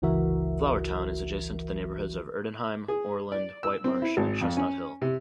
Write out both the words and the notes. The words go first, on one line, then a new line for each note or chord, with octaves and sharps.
Flourtown is adjacent to the neighborhoods of Erdenheim, Oreland, Whitemarsh, and Chestnut Hill.
G1 C#2 E3 F#4 A#4 E5
G#4
D5
E6
C4
E4
G#1
F2
C#4
C3